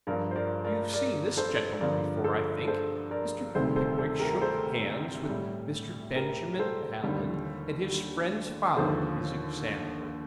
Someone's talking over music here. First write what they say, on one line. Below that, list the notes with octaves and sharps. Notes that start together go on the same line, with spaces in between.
You've seen this gentleman before, I think?' Mr. Pickwick shook hands with Mr. Benjamin Allen, and his friends followed his example.
G2 F3 A#4 D5
C5
A#4 D5
A#4 D5
A#4 D5
A4 C5
G2 D3 F3 A#4 D5
A4 C5
A4 C5
A#4 D5
D2 C3 D#3 G3 A4 C5
A4 C5
A4 C5
G4 A#4
A4 C5
A2 G3
G4 A#4
A4 C5
D#2 D3 G3
D#2 D3 F3 A4 C5